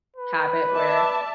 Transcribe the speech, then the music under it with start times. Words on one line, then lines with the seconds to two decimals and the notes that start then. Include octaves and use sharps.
habit where
0.17 B4
0.72 D5 E5 A5